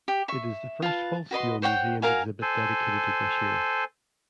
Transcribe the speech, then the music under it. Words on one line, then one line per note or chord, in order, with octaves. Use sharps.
It is the first full-scale museum exhibit dedicated to Brashear.
G4
E5 C#6
F4 B4 A5
F#4 B4 D#5 C6
C5 C#5 F#5 G5
F#4 A#4 F5 G#5
A4 C5 G#5